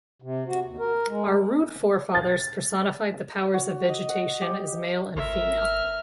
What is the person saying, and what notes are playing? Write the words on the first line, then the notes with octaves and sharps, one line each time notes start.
Our rude forefathers personified the powers of vegetation as male and female.
C3
F#4
D#2
A#4
G#3
A6
F#4
D#5
F#5
G4
G#1 A#4 E5
F6